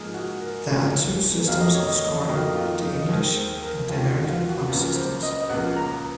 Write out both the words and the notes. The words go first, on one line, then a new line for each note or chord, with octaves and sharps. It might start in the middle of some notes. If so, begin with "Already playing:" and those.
There are two systems of scoring: The English and the American point systems.
Already playing: G#2 F3 A#3 G#4
F#4
A#4
G#2 F3 A#3 C#5
F2 D#3 F#3 A#3 F5
D#5
C#5
D#5
F2 D#3 F#3 A#3 D#5
F4
D#4
D#2 D#3 G#3 A#4
C5
A#4
D#2 D#3 G#3 F4
F#4
F4
F#4
C#2 C#3 F3 A#3 F#4
C5
D#5
C#2 C#3 F3 A#3 F#5
A#5